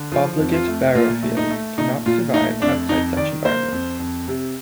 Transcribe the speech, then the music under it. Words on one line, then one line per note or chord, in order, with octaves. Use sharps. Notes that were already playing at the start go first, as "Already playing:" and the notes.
"Obligate barophiles" cannot survive outside such environments.
Already playing: D3
F3 F4
F2
F4
A3
A#2 F4
A3
D#4
A3
A#2 D#4
A#2 F4
A3 D#4
F2 D4
F2 D#4
D#3 D5
A#3 C5
F2
F2
C3